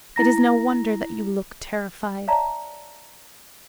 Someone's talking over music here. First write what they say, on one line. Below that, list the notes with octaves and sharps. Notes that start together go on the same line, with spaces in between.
It is no wonder that you look terrified.
E4 A#5 A#6
C#5 D5 E5 F5 A5 A#5